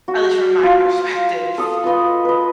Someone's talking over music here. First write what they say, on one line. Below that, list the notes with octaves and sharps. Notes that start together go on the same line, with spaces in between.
at least from my perspective.
F#4
F4
F5
A4 D#6
F4 B4 D#5
B4 D#5